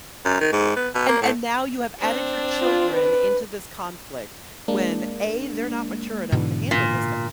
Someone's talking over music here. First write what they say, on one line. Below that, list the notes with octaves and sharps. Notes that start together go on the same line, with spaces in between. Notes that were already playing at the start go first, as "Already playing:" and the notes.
And and now you have added your children into this conflict when, A, they're not mature enough to handle this ca
F#2
D#3
G#2
B3
B2
A#3
A2
C4 D4
F4
B4
G#3 A#3 D4
G#2 B2 D3 E3
A#2